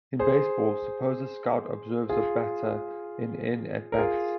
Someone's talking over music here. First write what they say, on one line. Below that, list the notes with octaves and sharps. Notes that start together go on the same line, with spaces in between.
In baseball, suppose a scout observes a batter in "N" at-bats.
G#4 C5
F4 G#4
A#4
F4 G#4